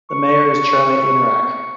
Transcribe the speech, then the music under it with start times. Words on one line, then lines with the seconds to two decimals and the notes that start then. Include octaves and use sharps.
The mayor is Charlie Inuarak.
0.09 C#6